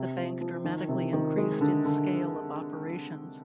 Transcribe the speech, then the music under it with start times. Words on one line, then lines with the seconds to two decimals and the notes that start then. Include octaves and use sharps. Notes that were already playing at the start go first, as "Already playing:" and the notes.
The bank dramatically increased its scale of operations.
Already playing: C3
0.16 F3
0.41 F3
0.64 D#3
0.89 C3
1.13 D#3
1.37 G#3
1.61 D3
1.85 D3